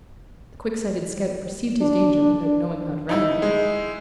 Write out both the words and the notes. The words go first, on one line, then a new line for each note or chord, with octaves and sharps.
The quick-sighted scout perceived his danger without knowing how to remedy it.
D4
D4
D#4 E4
G#3